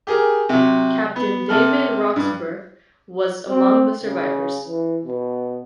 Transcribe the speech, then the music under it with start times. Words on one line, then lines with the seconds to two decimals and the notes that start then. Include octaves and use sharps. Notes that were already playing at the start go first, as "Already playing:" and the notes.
Captain David Roxburgh was among the survivors.
0.07 G4 G#4 A#4
0.49 C3 F#3
1.16 B3
1.49 C3 A4 F6
2.16 G2
3.49 C4
4.04 C#3
4.68 E3
5.05 B2